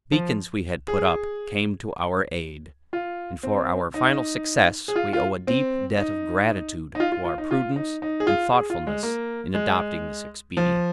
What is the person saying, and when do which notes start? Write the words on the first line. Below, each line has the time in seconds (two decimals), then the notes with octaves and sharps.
The beacons we had put up came to our aid, and for our final success we owe a deep debt of gratitude to our prudence and thoughtfulness in adopting this expedient.
0.12 F3
0.88 G#4
2.93 F4
3.43 C4
3.94 D#4
4.88 G#4
4.96 F4
5.13 F4
5.47 C4
5.97 D#4
6.95 D#4
7.00 F4
7.12 F4
7.25 F4
7.38 D#4
7.51 F4
7.76 D#4
8.02 D#4
8.20 G#4
8.27 F4
8.53 G#4
8.70 F4
8.87 G#3
9.03 A#3
9.54 G#3
10.57 F3